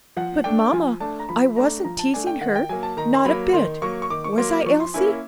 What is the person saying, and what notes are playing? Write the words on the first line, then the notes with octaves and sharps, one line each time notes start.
But, mamma, I wasn't teasing her, not a bit; was I, Elsie?
F3 F#5
A3 D4 G5
F3 G#5
A3 D4 A5
A#5
F3 B5
A3 D4 A#5
F3 A#5
A5
A3 D4 G#5
G5
D#3 F#5
G5
F#3 A#3 G#5
A5
D#3 A#5
C6
F#3 A#3 B5
D#3 C6
F#3 A#3 C#6
C#6
D#3 D6
C#6
F#3 A#3 C6
F3 C#6
C6
A#3 C#4 E4 G#5
E5